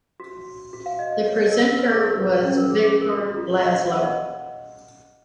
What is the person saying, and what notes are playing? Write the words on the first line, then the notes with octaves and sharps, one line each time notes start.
The presenter was Viktor Lazlo.
F#4
F#4
F5
D#5
D#5
C#5
D#5
A#4
A#4
B4
G#4
A#4
B4
B4
C#4
B4
A#4
G#4
G#4
A#4
F#4
F4
C#5
D#5
F5
F#5
D#5